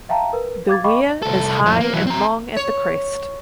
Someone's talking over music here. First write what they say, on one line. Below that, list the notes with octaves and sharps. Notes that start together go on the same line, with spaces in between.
The weir is high and long at the crest.
E5 F5 G5 A5 A#5
A#4 B4
F5 D6 G#6 A6
D#5 F5 G5 B5 C#6 D6
C2 A4
F2 A2
A#3
E3 F#3
C4 A#5
C#5